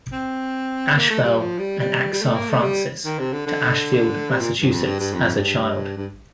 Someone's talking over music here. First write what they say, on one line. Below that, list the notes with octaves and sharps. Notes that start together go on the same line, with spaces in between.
Ashbel and Achsah Francis, to Ashfield, Massachusetts as a child.
C4
A#3
A3
G3
F3
G3
G3
G3
A3
A#3
A3
G3
D#3
C3
D3
D3
C3
A#2
G2
F2
G2
G2
F2
G2
G2